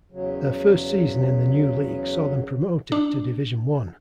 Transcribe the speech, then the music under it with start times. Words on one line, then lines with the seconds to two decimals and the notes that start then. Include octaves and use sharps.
Their first season in the new league saw them promoted to Division One.
0.11 E2 C#3 F#3
2.92 D4